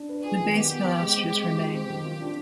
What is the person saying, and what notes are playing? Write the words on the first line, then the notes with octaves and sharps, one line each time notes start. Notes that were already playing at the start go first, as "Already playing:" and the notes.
The base pilasters remain.
Already playing: D4
B4
F4 G#4
D#3
B3 G4
B3
C4
G#3
C4
G#3
F4
G#3
C4 G4
D#3
F4
D4